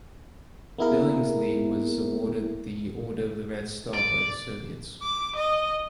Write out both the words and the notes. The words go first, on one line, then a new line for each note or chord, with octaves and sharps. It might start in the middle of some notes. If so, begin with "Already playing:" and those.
Billingslea was awarded the Order of the Red Star by the Soviets.
A#3 B3 E4 G#4 A#4
D5
D6
D#5